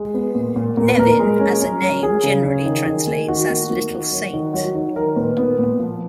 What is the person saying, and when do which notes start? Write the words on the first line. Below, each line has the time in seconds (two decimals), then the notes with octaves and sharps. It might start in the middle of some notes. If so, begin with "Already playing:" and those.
'Nevin' as a name generally translates as 'Little Saint'.
Already playing: G#3
0.14 B3
0.35 A#2
0.56 A#2
0.77 A#2 A#4
0.88 B4
0.97 A#2 A#4
1.19 G#3
1.40 C#4
1.61 C#4
1.82 F#3
2.03 C#4 G#4
2.24 C#3
2.44 C#4
2.66 D#3
2.86 D#3
3.07 A#3
3.28 D#3 F#4
3.50 A#3
3.70 A#3
3.91 D#3
4.12 F#3
4.34 D#3
4.54 F#3 F#4
4.75 D#3
4.96 D#3 A#4
5.16 A#2 B4
5.38 B3
5.59 A#2
5.80 F3